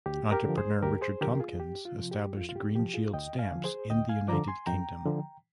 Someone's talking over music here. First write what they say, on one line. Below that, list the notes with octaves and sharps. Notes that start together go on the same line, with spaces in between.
Entrepreneur Richard Tompkins established Green Shield Stamps in the United Kingdom.
D2 G4
G4 A#4
D3 F3
G#4 C5
D2 G4 A#4
G#4 C5
D3 F3 G4 A#4
F4 G#4
F2 G4
F4
C3 F3
G4
F2 F4
F4
G4
C3 F3 G4
F4 G#4
D2 D#5 G5
F5 G#5
D3 F3
G#4 C5
D2 D#5 G5
F5 G#5
D3 F3 A#5 D6
G#5 C6
F2 G5 A#5
D3 F3